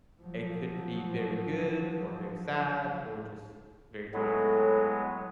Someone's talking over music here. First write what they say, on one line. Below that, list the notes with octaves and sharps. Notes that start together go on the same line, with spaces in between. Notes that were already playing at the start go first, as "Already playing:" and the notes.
it could be be very good or very sad or just very tired.
F3 F#3
A2 F#3 G#3 B3